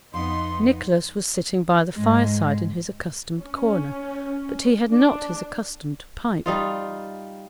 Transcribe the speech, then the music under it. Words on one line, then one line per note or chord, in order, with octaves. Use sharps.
Nicholas was sitting by the fire-side in his accustomed corner: but he had not his accustomed pipe.
F2 B3 D#4 C6
G#2 G#3
C#4
D4
G3 D#4 F4